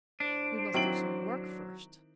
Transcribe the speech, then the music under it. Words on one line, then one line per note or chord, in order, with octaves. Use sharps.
"We must do some work first."
A2 D4 C5
D#3 F#3 C4 E4 D7 F#7